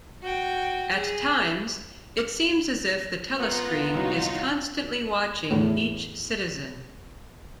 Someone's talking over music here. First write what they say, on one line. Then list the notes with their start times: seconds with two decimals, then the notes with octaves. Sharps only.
At times, it seems as if the telescreen is constantly watching each citizen.
0.22 F#4 G5
0.92 G#4
3.40 B3 F4 F#5 A#5
3.94 C2 F#3 D#4 F4 F#4
5.50 E2 A2